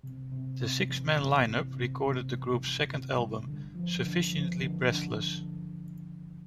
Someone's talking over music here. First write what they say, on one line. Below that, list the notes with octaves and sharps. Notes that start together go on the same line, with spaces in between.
This six man lineup recorded the group's second album, "Sufficiently Breathless".
C3
C3
C3
E3
E3
C3
C3
C3
E3
E3
C3
G3
D3
F3
D3
F3
D3
D3